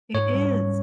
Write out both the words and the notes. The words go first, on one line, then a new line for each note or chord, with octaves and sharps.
It is.
G#2 C#5
G3
C#4